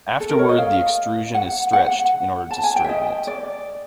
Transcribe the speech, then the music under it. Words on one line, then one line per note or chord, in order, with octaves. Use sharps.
Afterward the extrusion is stretched in order to straighten it.
A4
A#4
C#5
D#5
F5
F#5
F#5
A5
G#5
G5
E5
D#5
D5